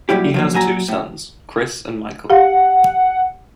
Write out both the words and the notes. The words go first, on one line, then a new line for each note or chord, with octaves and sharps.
He has two sons, Chris and Michael.
A#2 F#3 G3 E4 G4
F3 F#3 A#3
A#2 F#3 G#5 A#5
A2
G4 F5 F#5